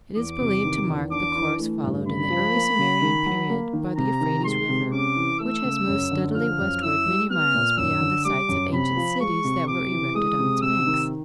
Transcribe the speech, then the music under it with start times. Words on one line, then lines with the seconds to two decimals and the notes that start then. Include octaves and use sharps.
It is believed to mark the course followed in the early Sumerian period by the Euphrates river, which has moved steadily westward many miles beyond the sites of ancient cities that were erected on its banks.
0.16 E2 D6
0.41 C3
0.65 D#3
0.88 E2
1.11 D4 D6
1.36 E3
1.59 A3
1.84 G2
2.07 C#3 B5
2.30 F3
2.55 A#3
2.79 C#3
3.02 D#3
3.26 F#3
3.50 A#3
3.73 D#3
3.97 C3 A#5
4.21 D#3
4.44 G#3 C6
4.69 C3
4.92 C#4 D6
5.16 E3
5.40 A3 E6
5.64 C#3
5.87 F#2
6.11 D3
6.35 F3 F6
6.58 F#2
6.83 E4 E6
7.07 G3
7.30 B3 F6
7.54 A#2
7.77 F#2 E6
8.01 D3
8.25 G3 D6
8.49 F#2
8.73 C3 B5
8.97 F3
9.20 G#3 C#6
9.44 C3
9.68 C3 D6
9.91 E3
10.15 G#3 D#6
10.39 C3
10.62 C3 E6
10.86 D#3